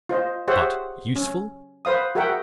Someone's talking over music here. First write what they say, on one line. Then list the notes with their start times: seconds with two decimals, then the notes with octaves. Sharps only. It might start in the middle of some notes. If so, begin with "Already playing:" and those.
But, USEFUL?
0.09 F4 C5 D#5
0.48 G4 G#4 C5 C#5 E5 F#5
1.16 C#4
1.85 B4 C5 F5 D#6
2.15 F#4 G#4 A#4 E5 F#5 G5